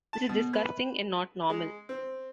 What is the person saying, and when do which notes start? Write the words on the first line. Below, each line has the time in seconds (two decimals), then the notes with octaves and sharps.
This is disgusting and not normal!
0.13 A5
0.29 B2
0.53 B4
1.50 G#3
1.89 C4